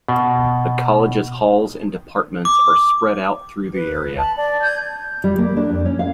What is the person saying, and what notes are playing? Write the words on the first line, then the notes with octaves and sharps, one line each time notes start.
The college's halls and departments are spread out through the area.
B2
D6
B4
A5 B5
D5
G6 G#6
G3
A#3
D4
F2
C#4
F5